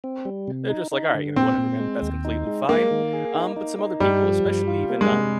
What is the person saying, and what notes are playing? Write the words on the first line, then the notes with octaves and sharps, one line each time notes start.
they're just like, "Alright, you know, whatever, man, that's completely fine," um, but some other people, especially even, um,
C4
G3
C3
D#4
D#4
D3
A#2 C4
A#2
G#3
D#2
D#4
G#3
G#3 A#3
D#3
G#4
D#4
D#4
D#4
G2 G3
F3
G2
F4
A#3
G#3
C3